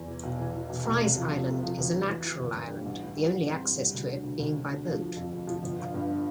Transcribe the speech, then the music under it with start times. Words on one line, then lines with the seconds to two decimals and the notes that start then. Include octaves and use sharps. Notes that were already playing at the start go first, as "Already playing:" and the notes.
Fry's Island is a natural island, the only access to it being by boat.
Already playing: E2
0.08 E3
0.23 B1
0.39 E3
0.54 E3
0.69 B1
0.85 B1
1.00 C3
1.16 F3
1.31 A3
1.47 C3
1.63 F3
1.78 D2
1.93 E3
2.08 E3
2.24 E3
2.40 G1
2.55 G2
2.71 G3
2.86 A1
3.01 A2
3.16 G3
3.32 A1
3.47 C4
3.63 G3
3.79 G3
3.94 D2
4.08 D3
4.24 D2
4.40 D2
4.56 D2
4.71 D3
4.86 F3
5.01 F3
5.16 F2
5.33 F2
5.47 F3
5.63 G1
5.79 D3
5.94 G2